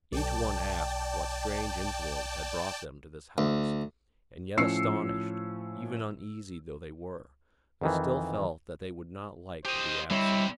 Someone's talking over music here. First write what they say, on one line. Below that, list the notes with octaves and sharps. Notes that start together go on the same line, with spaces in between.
Each one asked what strange influence had brought them to this house, and yet astonished, even uneasy though they were, they still felt that they would not like to be absent.
B1 D5 G5 A5
D2
A2 F3 C#4 E6 C7 C#7
F2 D#3 E3
G4 C5 D#5
D3 G3 C4 E4 C#5 D#5